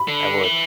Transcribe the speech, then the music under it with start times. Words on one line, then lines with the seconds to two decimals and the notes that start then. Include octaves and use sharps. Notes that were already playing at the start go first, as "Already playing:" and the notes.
I would.
Already playing: B5
0.08 D3
0.43 E3